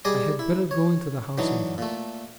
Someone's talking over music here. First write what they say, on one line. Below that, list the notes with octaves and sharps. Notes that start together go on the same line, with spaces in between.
I had better go into the house and die.
G3 G#4 D5 D#5
E4
C#5
D3 E3 F#3 D#4
A#2 A3